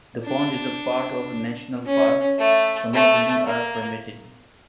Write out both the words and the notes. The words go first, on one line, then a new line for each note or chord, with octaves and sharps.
The pond is part of a national park, so no buildings are permitted.
D4
C#4
A3
A3
A#3